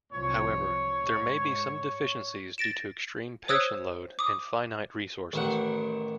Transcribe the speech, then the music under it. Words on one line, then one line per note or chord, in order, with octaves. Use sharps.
However, there may be some deficiencies due to extreme patient load and finite resources.
C2 F3 C#5
G#2
A6 A#6 D7 E7
C5 C#5 D#6 E6 F#6 G#6
D6 D#6
A1 D#3 F#5